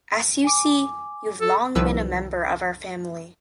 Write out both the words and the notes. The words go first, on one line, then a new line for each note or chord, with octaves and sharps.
As you see, you’ve long been a member of our family.
G#5 D6
A4
C2 D#3 F3 B4 E6